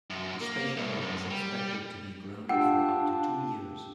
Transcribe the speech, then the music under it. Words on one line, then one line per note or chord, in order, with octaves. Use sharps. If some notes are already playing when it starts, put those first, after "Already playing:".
The Space Shuttle was expected to be grounded for up to two years.
F#2
A#3
C2
F#2
G3
D4 F4 G4 F#5 G5 E6